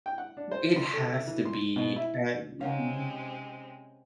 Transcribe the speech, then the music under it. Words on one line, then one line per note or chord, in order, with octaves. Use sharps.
It has to be. And
G5
F#5
D4
C5
C6
A4
E5
E3
C6
B2
E4
C3 G#3 C4 C#4 D#4 A#4 F5 F#5